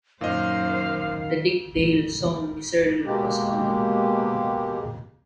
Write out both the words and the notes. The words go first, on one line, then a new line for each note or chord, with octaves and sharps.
The Dick Dale song "Miserlou" was on it.
F#2 A#2 D#3 C5 D#5 F5
B2 G#3 A#3 G4